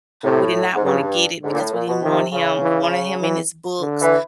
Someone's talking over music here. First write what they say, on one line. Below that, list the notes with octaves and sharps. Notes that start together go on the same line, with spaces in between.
We did not wanna get it because we didn't want him we wanted him in his books."
A2 C3
G#2
G2 C#3
G#2 D3
A#2
A2
A#2
B2
C3 D#3
C#3
E3
E3
D3
E3